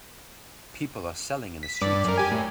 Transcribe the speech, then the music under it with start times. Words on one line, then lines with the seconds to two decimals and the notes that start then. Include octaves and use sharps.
People are selling in the street.
1.63 B6
1.82 G2 D5
2.05 F#2 A#4
2.18 G4 G#5
2.31 A2